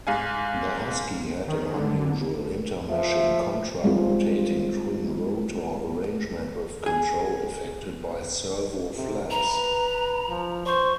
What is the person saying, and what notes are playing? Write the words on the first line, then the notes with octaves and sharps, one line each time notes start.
The Huskie had an unusual intermeshing contra-rotating twin-rotor arrangement with control effected by servo-flaps.
G#2 F5 G#5
D#3
D3
F3 E5
G3 G#3 C4 F4
G#4
C3
B4 A#5
F3
C5 C#6